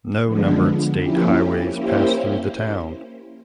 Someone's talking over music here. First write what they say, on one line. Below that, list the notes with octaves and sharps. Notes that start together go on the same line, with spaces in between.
No numbered state highways pass through the town.
D3 F3 G#3 B3 D4
F3 A#3 C#4 E4 G4
A#3 C#4 E4 G4 C5